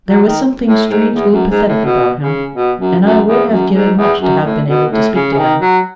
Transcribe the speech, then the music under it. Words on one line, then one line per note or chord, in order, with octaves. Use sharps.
There was something strangely pathetic about him, and I would have given much to have been able to speak to him.
F#3
D#3
A2
G#2
E2
F#2
G#2
A2
B2
C#3
B2
F#2
F#2
E2
F#2
G#2
E2
F#2
A2
B2
A2
C#3
C#3
D#3
F#3